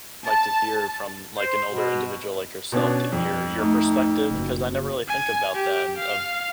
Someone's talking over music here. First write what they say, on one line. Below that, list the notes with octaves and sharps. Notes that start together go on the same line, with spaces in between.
like to hear from, like, an older individual, like yourself, to hear your perspective 'cause I never really think about that, and of
A5
C5
B2
B2 C#4 D4
F2
A3 D#4
F#1
G#5
G4
F5